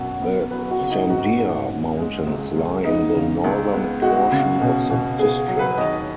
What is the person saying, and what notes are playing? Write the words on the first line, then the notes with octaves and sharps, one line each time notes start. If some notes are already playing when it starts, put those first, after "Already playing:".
The Sandia Mountains lie in the northern portion of the District.
Already playing: F#2 B2 F#4
B3
F#3 B4
F#4
C#3
D#4
G#2 F#4
G#2
C#4
G#3
C#2
C#2
B3 D#4
C#3
C#2
B3
G#3 F#4
C#3
B2
B2
B3 G#4
F#3
B4
D#2 D#5